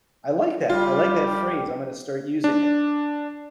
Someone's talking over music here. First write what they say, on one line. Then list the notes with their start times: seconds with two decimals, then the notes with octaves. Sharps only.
like that. I like that phrase, I'm gonna start using it.
0.70 G1 G3 F4 G4
2.44 D4